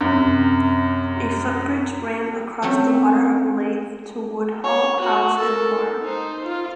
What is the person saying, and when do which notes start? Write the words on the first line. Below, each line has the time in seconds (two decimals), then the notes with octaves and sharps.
A footbridge ran across the Water of Leith to Woodhall House and farm.
0.01 F#2 C3
2.62 F#3 A3 C4 C#4
4.63 C#5
5.00 F#4
5.37 A4 A#4
6.02 D#4 C5
6.44 F4